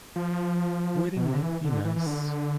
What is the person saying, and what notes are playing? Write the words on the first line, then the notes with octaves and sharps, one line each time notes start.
Wouldn't it be nice?
F3
B2
C3
D3
E3
D3
E3
E3
D3